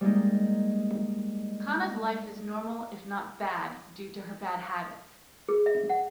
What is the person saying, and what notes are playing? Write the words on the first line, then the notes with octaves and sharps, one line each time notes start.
Kana's life is normal if not bad due to her bad habits.
G3 G#3 A#3 D#4
G#4
E5
F#5